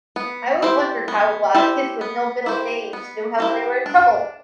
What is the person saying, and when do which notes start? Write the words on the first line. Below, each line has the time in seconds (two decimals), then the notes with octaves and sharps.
I always wondered how, uh, kids with no middle names knew how they were in trouble.
0.16 B3
0.62 E4 G4 C5
1.08 B3
1.54 E4 G4 C5
2.01 B3
2.46 E4 G4 C5
2.93 B3
3.38 E4 G4 C5
3.86 D4